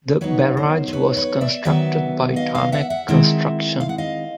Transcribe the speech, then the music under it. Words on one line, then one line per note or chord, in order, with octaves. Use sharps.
The barrage was constructed by Tarmac Construction.
F#3 B3 D#4 B4 C#5
A#4 C5
C5
B4 C#5
B4 C#5
D5 E5
D#3 F#3 B3 D5 E5
D#5 F5
D#5 F5
E5 F#5
E5 F#5
D#3 G#3 C4 E4
F5
F#5
D#5 F5